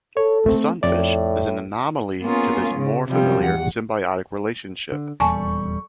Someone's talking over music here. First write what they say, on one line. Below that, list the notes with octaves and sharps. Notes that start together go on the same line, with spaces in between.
The Sunfish is an anomaly to this more familiar symbiotic relationship.
A4 C#5
A3 C4
F2 A2 D5
A#3 B3 C#4 F4 G#4
C#3
C3 F3 G3
E2 F#5
D3
D#1 E2 G3 A4 D5 G#5 A5 C#6